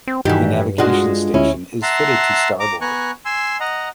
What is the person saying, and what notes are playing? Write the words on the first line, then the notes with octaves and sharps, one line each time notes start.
A navigation station is fitted to starboard.
C4
G2 D#3 E3 D#4 F#4 G4
G#3 D4 F4 F#4
D2 C#4 E4
E5 F#5 A5 A#5 C6
A#5 D6
B3 G#5 A#5 C#6 F#6
G#5 C6 E6
D#5 F#5 A#5